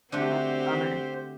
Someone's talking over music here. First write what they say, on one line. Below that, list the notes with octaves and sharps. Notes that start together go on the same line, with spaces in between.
That's a bummer.
D3 A3 C4 F#4 G4 C5